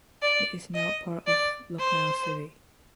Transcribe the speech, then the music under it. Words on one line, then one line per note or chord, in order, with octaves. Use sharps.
It is now part of Lucknow city.
D5
D#5
D5
C5